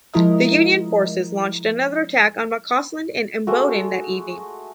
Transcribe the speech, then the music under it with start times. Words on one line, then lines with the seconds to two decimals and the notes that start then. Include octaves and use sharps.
The Union forces launched another attack on McCausland and Imboden that evening.
0.14 F3 G#3 E4 A#4 D#5
3.47 G#3 A3 F#4